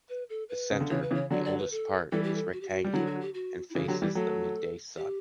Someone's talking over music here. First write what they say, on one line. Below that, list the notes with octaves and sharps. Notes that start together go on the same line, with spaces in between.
The center, the oldest part, is rectangular and faces the midday sun.
B4
A4
B4
C#3
D3
C#3 E3 C#5
B4
C#3 E3
C#5
D3 F#3 D5
D5
B4
A4
E3 G3 A4
G4
A4
F#4
G4
F#4
G3
D3 F#3 E4
F#4
G4
F#4
E4
C#3 E3 F#4
A4
D3 F#3 G4
E3 G3 G4
F#3 A3 A4
G4